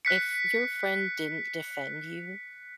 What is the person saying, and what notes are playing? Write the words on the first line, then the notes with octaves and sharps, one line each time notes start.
If your friend didn't defend you
F#6 B6 C#7